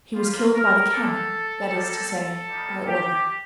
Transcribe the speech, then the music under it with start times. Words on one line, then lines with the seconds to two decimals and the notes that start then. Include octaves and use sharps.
He was killed by the cannon, that is to say, by order.
0.13 G3 A#3 F4
0.53 A#4
0.92 A#3 D4 G4 A4
1.70 G3 A#3 D#4 G4
2.09 A4
2.48 G3 A#3 D#4
2.86 G4